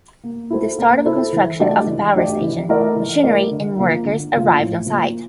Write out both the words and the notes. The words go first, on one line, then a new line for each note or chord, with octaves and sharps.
The start of construction of the power station: machinery and workers arrived on site.
A#3
E4 A4 C5
A#3
E4 A4 C5
E3
A3 D4 G4 D5
E3
A3 D4 G4 D5
E3
A3 E4 A#4 D5
E3
A3 E4 A#4 D5
D3
F3 A#3 F4
D3
F3 A#3 F4
A2
F3 A#3